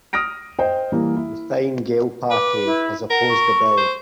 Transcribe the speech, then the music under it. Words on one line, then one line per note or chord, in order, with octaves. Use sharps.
The Fine Gael party has opposed the bill.
D#6 F6 A#6 D7
C5 D#5 G5
E3 G3 A#3
E4
B4 D6
E4
A#4 F#5
C#6
C5